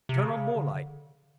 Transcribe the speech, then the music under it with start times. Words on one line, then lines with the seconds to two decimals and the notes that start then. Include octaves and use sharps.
Turn on more light.
0.09 C3
0.24 C#3
0.55 D3